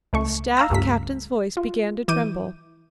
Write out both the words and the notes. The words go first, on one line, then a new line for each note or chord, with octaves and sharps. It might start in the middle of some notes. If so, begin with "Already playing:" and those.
The staff captain's voice began to tremble.
C#2 A3 C#6
F5 A#5 E6 A#6
C#2 G2 A3 B6
F4
E3 D6 G6 D#7